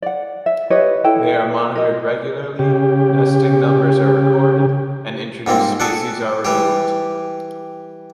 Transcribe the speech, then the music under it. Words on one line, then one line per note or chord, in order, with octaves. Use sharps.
They are monitored regularly, nesting numbers are recorded, and introduced species are removed.
D5 F#5
E5
G4 B4 C#5 D#5
E4 A4 G5
A#4 D#5
C#3 G4
G#2 G3 A#3 C4
G#4 A4 D5 F#5
E3 G3 G4